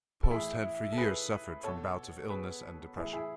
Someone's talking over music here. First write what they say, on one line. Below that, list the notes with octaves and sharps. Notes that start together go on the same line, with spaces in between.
Post had for years suffered from bouts of illness and depression.
A4
A2 E3 E4 G#4
A4
G#4 B4
B2 A4 C#5
G#4 B4
A2 E3 E4 G#4
E4 G#4